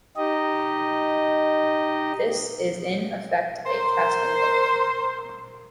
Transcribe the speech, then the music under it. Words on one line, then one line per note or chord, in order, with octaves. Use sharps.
This is in effect a casting vote.
D#4 G4 D#5
A#4 C5